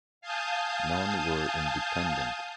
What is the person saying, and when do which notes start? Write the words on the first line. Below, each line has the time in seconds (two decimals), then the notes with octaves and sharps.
None were independent.
0.21 F5 G#5 A5 D#6 G6